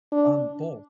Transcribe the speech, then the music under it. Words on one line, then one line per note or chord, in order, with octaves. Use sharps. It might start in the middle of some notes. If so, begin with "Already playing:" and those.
Um, both.
D4